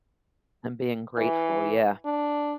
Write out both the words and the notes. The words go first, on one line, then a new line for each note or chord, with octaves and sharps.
And being grateful. Yeah.
E3
D4